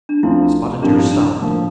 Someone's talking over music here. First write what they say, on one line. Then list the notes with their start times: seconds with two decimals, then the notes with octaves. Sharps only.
Spotted Deer stopped.
0.09 D4
0.23 D2 D3 F3 C4 E4 F4
0.82 G2 F3 C4 D4 G4 A#4
0.97 E4
1.11 D4
1.41 A2 F3 A#3